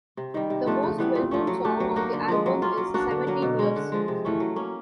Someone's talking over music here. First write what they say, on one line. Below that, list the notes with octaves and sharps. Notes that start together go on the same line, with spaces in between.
The most well known song on the album is "Seventeen Years".
C3
D#3 G3
C3
F3 A3 D4
C#3
E3 G3 B3
A#2
F3 A3 C#4
F#3
A3 D4 G4
F#3
A#3 D#4 F#4
D3
F3 G#3
F#3
A#3 C#4 F4
F#3
A#3 D4 F#4
D3
F#3 A#3
B2
G#3 C#4
D3
F3 G#3
C3
E3 A3 C#4
F#3
A#3 C#4